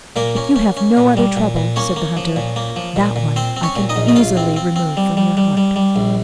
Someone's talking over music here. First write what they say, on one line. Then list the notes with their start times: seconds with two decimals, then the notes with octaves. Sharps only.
'If you have no other trouble,' said the Hunter, 'that one I can easily remove from your heart.'
0.16 A#2 A#3 A#4
0.36 C#4
0.56 C#4
0.77 C#4
0.97 A#2
1.17 G3
1.36 A#2
1.56 A#2
1.76 A#3 C#4 C#5
1.96 A#3
2.17 F3
2.36 A#2
2.56 A#3
2.76 F3
2.96 A#2
3.16 A#2
3.36 C4 C5
3.56 C4
3.63 C#4 C#5
3.76 A#2
3.89 D#4 D#5
3.96 A#1
4.08 D#5
4.16 A#1 F4 F5
4.37 C4
4.56 C4
4.76 C4
4.97 G3
5.17 G3
5.37 G3
5.57 G3
5.76 G3
5.96 A#1